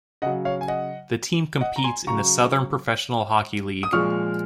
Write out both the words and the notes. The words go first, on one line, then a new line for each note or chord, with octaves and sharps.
The team competes in the Southern Professional Hockey League.
C#3 F#3 D#5 F#5
C#5 F5
G#5
D#5 F#5
D#5 F#5
A#5
G#5 C6
C#3 F#3 A#5 C#6
D#6
A#2 F3 G#3 C#6 F6